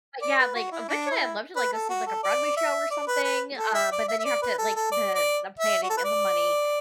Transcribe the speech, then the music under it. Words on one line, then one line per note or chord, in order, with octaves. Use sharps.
but yeah, like, eventually I'd love to, like, go see, like, a Broadway show or something, uh, but then you have to, like, the the planning and the money,
D5
B4
F#4
E4
D4
E4
B4
A4
F#4
A4
D5
E5
D5
B4
B4
A4
E5
D5
E5
E5
D5
B4
A4
A4
D5
D5
E5
F#4
A4
B4
D5